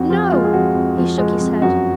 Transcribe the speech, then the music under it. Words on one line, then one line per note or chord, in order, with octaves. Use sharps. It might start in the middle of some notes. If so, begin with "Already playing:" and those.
"No," he shook his head.
Already playing: F2 F#4
F3 F4
G#3 F4
G#4
F2 F#4
F2
F3
G#3
F2
F#2 F#4